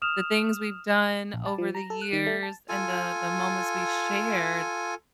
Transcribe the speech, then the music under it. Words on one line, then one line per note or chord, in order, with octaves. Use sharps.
the things we've done over the years and the the moments we shared,
D#6 F6 E7 F7
A#1
A5
F3
A#5
A4
F#6
D#3
A3
A5
F4 A4 G#5